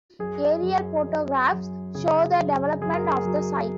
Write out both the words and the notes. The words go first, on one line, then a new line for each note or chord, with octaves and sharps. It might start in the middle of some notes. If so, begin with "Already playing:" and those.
Aerial photographs show the development of the site.
F#2 G#4
F#2
F#2
F#2
C#3 G#4
F#2
F#2 G#4
A#4
G#4
F#3